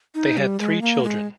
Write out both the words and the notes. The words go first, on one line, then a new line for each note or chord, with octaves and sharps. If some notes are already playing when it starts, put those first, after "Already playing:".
They had three children.
D#4
G3
G#3
A#3
G#3